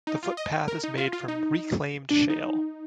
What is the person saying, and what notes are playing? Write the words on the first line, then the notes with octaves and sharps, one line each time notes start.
The footpath is made from reclaimed shale.
D#4
F4
D#5
A#4
D#4
F4
F4
D#4
D4
D#4